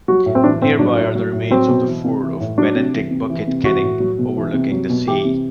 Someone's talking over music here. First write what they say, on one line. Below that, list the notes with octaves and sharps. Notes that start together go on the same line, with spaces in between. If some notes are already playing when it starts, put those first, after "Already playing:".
Nearby are the remains of the fort of Benteng Bukit Cening, overlooking the sea.
F#3 F#4
A2
C4
E3 D4
A2 C4
F#3 D4
A2
F#3
A2
F#3 C4
B2
E3
C3
E3
A2
F#3 D4
C3
E3
C3
E3
C3
E3 F#4
A2
F#3
B2
E3
C3
F#3
B2
E3 G4
C3